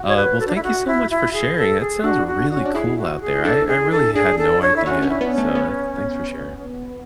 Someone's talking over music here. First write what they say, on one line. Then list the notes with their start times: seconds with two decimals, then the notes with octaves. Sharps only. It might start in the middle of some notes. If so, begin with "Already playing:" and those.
uh, well, thank you so much for sharing, that sounds really cool out there, I I really had no idea, so, uh, thanks for sharing.
Already playing: F#4
0.09 C#5
0.16 B4
0.40 A4
0.48 D4
0.56 E4
0.63 F#4
0.87 E4
1.11 E4
1.33 G#4
1.57 A4
1.80 G#4
2.04 D4 F#4
2.27 F#4
2.51 F#4
2.57 C#4
2.66 D4
2.74 E4 G#4
2.98 F#4
3.21 G#4
3.45 D4 A4
3.68 G#4
3.92 A4
4.14 D4 G#4
4.38 A4
4.62 C#5
4.76 E4
4.86 C#4 F#4
5.02 C#4
5.09 E4
5.21 B3
5.32 C#4
5.38 A3
5.55 B3